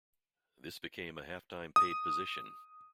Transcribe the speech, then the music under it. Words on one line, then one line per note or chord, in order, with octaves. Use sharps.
This became a half-time paid position.
D#6